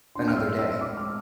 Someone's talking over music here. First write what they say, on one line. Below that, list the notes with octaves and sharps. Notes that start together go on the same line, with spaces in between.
another day
D4 C6
C4 F6
E6
B3
E6
A3
A3 D6
G#3
F6